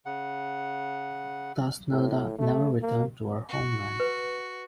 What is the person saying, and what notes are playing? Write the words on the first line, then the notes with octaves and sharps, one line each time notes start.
Thusnelda never returned to her homeland.
C#3 F#5
A2
A3
A#3
F#4
B4